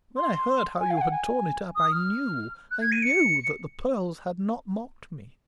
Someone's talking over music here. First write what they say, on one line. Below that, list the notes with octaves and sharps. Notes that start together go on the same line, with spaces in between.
When I heard how you had torn it up, I knew, I knew that the pearls had not mocked me.
C6
G#5
F5
G#5
F#5
G#5
D#6
F6
F#6
G#6
D#7
C#7